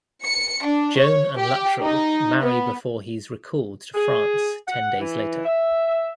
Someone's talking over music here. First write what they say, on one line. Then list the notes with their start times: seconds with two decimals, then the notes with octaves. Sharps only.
Joan and Luttrell marry before he is recalled to France ten days later.
0.25 C#7
0.64 D4
0.98 C#5
1.37 G4
1.82 D#4
2.41 B3
3.95 G#4
4.68 F#5
4.99 E3
5.45 E5